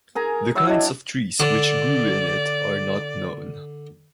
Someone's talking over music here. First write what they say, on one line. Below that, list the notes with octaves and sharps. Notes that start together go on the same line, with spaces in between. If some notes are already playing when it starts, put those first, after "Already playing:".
The kinds of trees which grew in it are not known.
G#4 A#4 G#5 A#5
F#3 E4 C#5 E6
D4 D#5
D3 D5